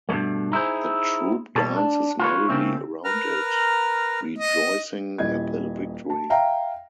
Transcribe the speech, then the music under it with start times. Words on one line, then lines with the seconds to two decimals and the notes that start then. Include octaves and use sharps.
The troop dances merrily around it, rejoicing at the victory.
0.09 G2 B2 E3 G#3 A3
0.52 D#4 E4 G#4 C5
1.55 B2 G3 A4
1.76 D4
2.19 F4 B4 C#5
2.49 C#3 A#3 C4 C#4 E4
3.04 A#4 B4 A#5 F6
4.38 D#5
5.18 D#1 E4 D#5 G#6
6.10 A5
6.30 E5 F5 G5 A#5